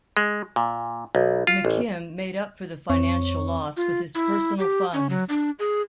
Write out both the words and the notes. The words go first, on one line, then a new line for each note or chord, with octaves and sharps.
McKim made up for the financial loss with his personal funds.
G#3
A#2
B1
F4
A1
F2 C4 C#5 C#6
F4
E4
G4
C#4
F#3
D4
G#4